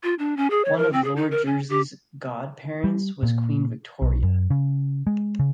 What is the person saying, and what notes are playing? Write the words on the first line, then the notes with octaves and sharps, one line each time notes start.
One of Lord Jersey's godparents was Queen Victoria.
F4
D4
C#4
G#4
C#5
A#4
C4
G#4
D#4
A#4
C#4
G4
G3
A#2
B1
F#2
C#3
G#3
C#3